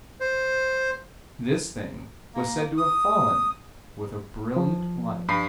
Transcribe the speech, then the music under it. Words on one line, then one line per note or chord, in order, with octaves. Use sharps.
This thing was said to have fallen with a brilliant light.
C5
A#3
D#6
F3
G2 B5 C7